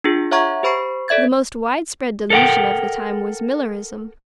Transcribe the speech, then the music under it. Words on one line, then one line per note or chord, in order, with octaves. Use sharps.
The most widespread delusion of the time was Millerism.
D4 F4 G#4
C#5 E5 F#5 A#5 C#6 G#6
G4 C5 B5 C#6 C7
A4 D5 E5 G#6 A6
A4 A#4 D5 F#5 G5